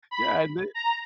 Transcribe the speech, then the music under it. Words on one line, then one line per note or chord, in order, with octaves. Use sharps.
yeah and they
B5
A#5